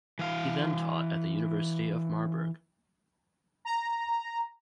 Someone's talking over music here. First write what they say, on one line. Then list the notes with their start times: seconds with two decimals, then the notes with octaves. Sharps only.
He then taught at the University of Marburg.
0.19 E3 F5
3.65 A#5